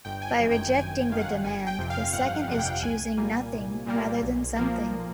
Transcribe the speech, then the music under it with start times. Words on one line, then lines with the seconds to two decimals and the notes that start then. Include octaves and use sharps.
By rejecting the demand, the second is choosing nothing rather than something.
0.05 G1 G5
0.22 G#5
0.28 G5
0.40 F#2 D#3
0.51 G5
0.74 G1 G#5
0.98 G5
1.09 F#2 D#3 F5
1.21 F#5
1.44 G1 G#5
1.67 G5
1.79 F2 C3
1.90 F5
2.13 G1 F#5
2.48 F2 C3 F#5
2.59 G5
2.83 C2 G#5
3.17 A#2 G3 A#3
3.52 C2
3.87 A#2 G3 A#3
4.22 B1
4.56 A#2 F3 A#3